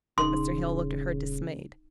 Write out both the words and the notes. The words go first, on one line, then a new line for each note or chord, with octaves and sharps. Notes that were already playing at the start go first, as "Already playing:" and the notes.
Mr. Hale looked at her dismayed.
D#1 C#3 D#4 C6